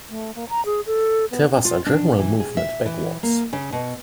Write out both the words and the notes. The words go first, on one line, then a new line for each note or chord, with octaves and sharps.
There was a general movement backwards.
A3
A#3
A#5
G#4
A4
B3
F4
D4
E3
G#4
E5
E3
A#3
C#3
B2